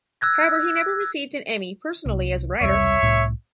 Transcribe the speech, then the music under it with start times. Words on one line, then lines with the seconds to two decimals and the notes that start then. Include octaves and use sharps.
However, he never received an Emmy personally as writer.
0.21 E6 F#6 G#6 A#6
2.06 C2
2.61 E1 C2 G3 C#5 E5
3.03 C2 A2